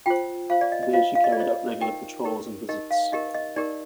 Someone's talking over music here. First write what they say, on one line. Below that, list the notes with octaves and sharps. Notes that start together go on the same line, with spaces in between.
There she carried out regular patrols and visits.
F4 C5 G5
F4 C5 F5
D5
D#5
D#5
F4 C5 F5
F5
D#5
D5
F4 C5 D#5
D#4 G4 A#4 G5
D#4 G4 A#4
D#4 G4 A#4 D#5
F5
D#4 G4 A#4 D#5
D#5
D#4 G4 A#4 D5